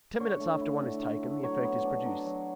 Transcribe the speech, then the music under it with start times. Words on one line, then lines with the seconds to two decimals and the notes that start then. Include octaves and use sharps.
Ten minutes after one is taken, the effect is produced.
0.20 D3 C#5
0.40 A3
0.61 E4
0.82 D3
1.02 D3
1.23 A3
1.43 F#3 C#5
1.64 B3
1.85 D4
2.05 F#3
2.26 F#3